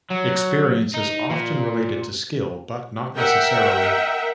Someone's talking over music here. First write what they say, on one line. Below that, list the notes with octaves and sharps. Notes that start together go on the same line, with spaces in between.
Experience is often related to skill, but not necessarily.
F#3
D#4
A#2
A#4 E5 F#5 G5